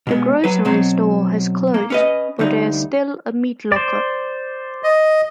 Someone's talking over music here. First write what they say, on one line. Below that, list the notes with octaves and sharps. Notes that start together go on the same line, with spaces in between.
The grocery store has closed, but there is still a meat locker.
B2 G#3 B3
F#3 B4
B2 F#3 C4
A#3
C#4 B4 D#5
D2 G3 D#4
C5 D5
D#5